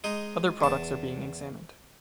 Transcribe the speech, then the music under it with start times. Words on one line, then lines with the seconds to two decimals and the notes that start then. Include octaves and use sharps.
Other products are being examined.
0.04 G#3 D#4
0.61 E2 A5